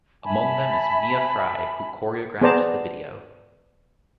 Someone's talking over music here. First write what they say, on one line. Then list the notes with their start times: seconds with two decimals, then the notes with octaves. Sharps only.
Among them is Mia Frye, who choreographed the video.
0.25 E5 G#5 A5 B5
2.41 B3 G#4 C5 D5 A5 A#5